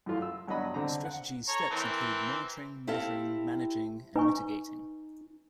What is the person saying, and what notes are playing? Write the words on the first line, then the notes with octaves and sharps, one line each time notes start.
The strategy's steps include monitoring, measuring, managing, and mitigating.
F#2 E3 A3 F4 C6
E6
G2 F#3 B3 D4 D#5 B5
D3 C4 D4 A#5
F#5
A4 C#5 A#5
E3 C4 A#4
C4 E4 G4 A4 F5
D#4 B4 G#5 C#6